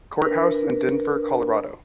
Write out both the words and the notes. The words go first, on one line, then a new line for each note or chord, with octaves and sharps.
Courthouse in Denver, Colorado.
D4 A#4 B4